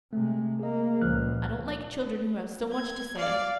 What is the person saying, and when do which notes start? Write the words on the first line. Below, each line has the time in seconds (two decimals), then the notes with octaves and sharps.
I don't like children who have so much to say.
0.13 C3 G#3 A3
0.60 A#3 G#4 D#5
1.02 C#2 A#2 F3 F6 F#6
2.73 G#6
3.18 D5 F5